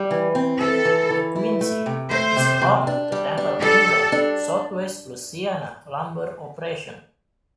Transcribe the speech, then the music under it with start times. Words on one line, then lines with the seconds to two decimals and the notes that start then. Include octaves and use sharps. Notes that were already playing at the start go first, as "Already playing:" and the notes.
DeQuincy is home to Temple-Inland's Southwest Louisiana Lumber Operation.
Already playing: G3
0.11 E3
0.35 C4
0.60 E3 A4
0.85 E3
1.10 E3
1.35 E4
1.61 A3
1.86 C3
2.11 A3 C5
2.36 C3
2.62 C3
2.87 D4
3.12 G3
3.37 D4
3.62 G3 A4
3.88 G3
4.12 D4